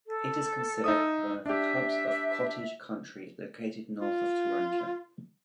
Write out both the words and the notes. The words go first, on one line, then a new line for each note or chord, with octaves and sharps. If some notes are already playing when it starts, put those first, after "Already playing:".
It is considered one of the hubs of cottage country located north of Toronto.
A4
D#4 E5 D#6
D4 G4 E5
F4